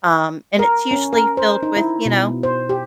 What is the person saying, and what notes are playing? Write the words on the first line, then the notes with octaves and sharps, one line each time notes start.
um, and it's usually filled with, you know,
A#4
C#4
A#4
C5
D#4
E4
B2
C5
G4